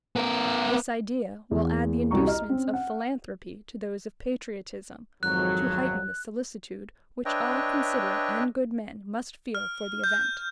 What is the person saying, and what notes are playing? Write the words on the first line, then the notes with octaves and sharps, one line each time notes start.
This idea will add the inducements of philanthropy to those of patriotism, to heighten the solicitude which all considerate and good men must feel for the event.
B3 A#4
E2
C2 G3 F#4 A#5 C#6
D#5 A#5 F6
C4 C#4
F#5
G#1 F2 F#3 F#6
D4 B4 C#5 D#5 E5 G5
F6
G6